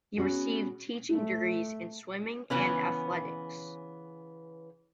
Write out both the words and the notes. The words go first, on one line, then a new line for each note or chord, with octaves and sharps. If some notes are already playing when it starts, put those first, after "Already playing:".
He received teaching degrees in swimming and athletics.
B3 C#4 F#4 G#4
A3
C#3 E3 B3 C#4